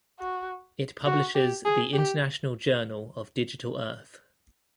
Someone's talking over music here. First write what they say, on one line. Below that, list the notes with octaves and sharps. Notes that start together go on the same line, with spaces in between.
It publishes the "International Journal of Digital Earth".
F#4
F#4
G4
G#4
G4